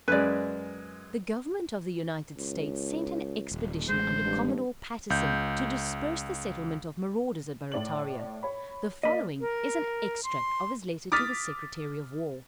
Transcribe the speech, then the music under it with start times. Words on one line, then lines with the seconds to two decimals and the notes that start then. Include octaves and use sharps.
The government of the United States sent an expedition under Commodore Patterson, to disperse the settlement of marauders at Barrataria; the following is an extract of his letter to the secretary of war.
0.08 F#2 G#3 B4 D5
2.37 C#2
3.52 D#1
3.89 A1 G#3 C5
4.24 G2
5.10 C#2 G6
7.72 A2 D5 F#7
8.43 C#5 B5
9.03 A#3 D5 D#5 B5
9.41 A#4
10.24 C6
11.12 D6 D#6 F6 A6 B6